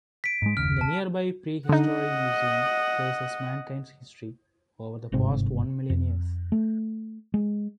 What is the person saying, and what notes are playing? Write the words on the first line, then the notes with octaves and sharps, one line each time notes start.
The nearby Prehistory Museum traces mankind's history over the past one million years.
B6 D7
G#2 G#3
F#1 D#2 C#3 F6
A5
D3 D#4 D#5 F#5
G1 G#2 C3 C4
F2
A3
G#3